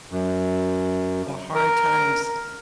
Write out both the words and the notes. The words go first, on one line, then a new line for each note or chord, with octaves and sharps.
or hard times
F#2
A#4